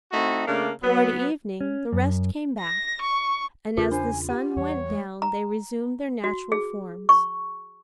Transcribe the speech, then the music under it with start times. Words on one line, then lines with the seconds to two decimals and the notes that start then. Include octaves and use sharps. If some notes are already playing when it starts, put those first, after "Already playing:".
Toward evening the rest came back, and as the sun went down they resumed their natural forms.
0.12 A3 C4 D#4 E4 F#4
0.46 C#3 A3 A#3 D4
0.83 F#3 B3
1.61 C#4
1.93 F#2
2.60 A#6
3.02 C#6
3.77 E2 C#3 C#4 F4 G#4 A#4
3.92 D4 C5 G#5
4.12 F4
4.29 G4 F#5
4.56 E2 E3 G3 C#5
4.87 G#3
5.22 A#5
6.24 F#4
6.52 G#4
7.09 C#6